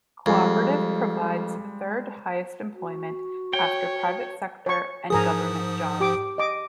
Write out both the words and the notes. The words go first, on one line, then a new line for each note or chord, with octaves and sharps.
Cooperative provides third highest employment after private sector and government jobs.
F2 G3 G#3
F#4
C#5 G5
C#5 C#6
G#2 F3 G#4 A#4 A#5 D#6
G4 D6
D#5 D6